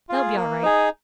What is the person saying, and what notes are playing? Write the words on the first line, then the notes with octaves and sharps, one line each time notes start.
'They'll be all right.
F4 G#4
A#3
D#4 G#4